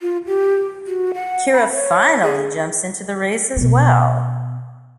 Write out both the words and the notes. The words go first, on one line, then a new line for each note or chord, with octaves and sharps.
Keira finally jumps into the race as well.
F4
G4
F#4
F#5
B5
C#5
G#4
B2 B3